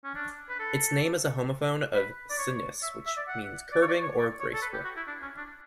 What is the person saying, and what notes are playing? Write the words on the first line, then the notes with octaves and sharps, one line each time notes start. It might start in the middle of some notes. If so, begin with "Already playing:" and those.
Its name is a homophone of sinuous, which means curving, or graceful.
C#4
D4
B4
A4
B4
D5
C#5
E5
E5
D5
F#5
D5
C#5
D5
C#5
D5
C#5
A4
B4
G4
F#4
E4
D4
C#4
D4